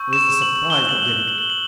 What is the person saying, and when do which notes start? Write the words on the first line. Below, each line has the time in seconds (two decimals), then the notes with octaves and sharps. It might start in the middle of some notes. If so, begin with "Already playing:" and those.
It was the surprise that did it.
Already playing: C#6 E6 G6
0.13 E7
0.42 F#7
0.70 C#6 F#6 G7
0.89 F#7
0.98 G7
1.28 F#7
1.38 G7
1.50 F#7